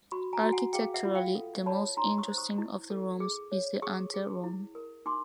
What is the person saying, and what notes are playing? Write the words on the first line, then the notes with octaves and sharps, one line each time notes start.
Architecturally, the most interesting of the rooms is the ante room.
F#4 B5 C#6
G#5 A#5
F#4
F#5 G#5
G#4 F5 G5
E5 F#5
F4
F5 G5
A4
C#5 A5 B5
D#4 A#5 C6
C#6 D#6
C5
C#6 D#6
E4
A4
G#4
C#5
G#4 C#6 D#6
G#4
E4
A#4
D#4 C6 D6